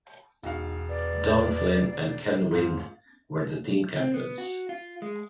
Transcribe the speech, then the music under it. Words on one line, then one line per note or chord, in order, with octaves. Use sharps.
Don Flynn and Ken Wind were the team captains.
E1 E2 D#4 F#4 F5
B4 D5
C#3
F2 G#2 C4 F4 C6
C4
B3
F#4
F4
G#3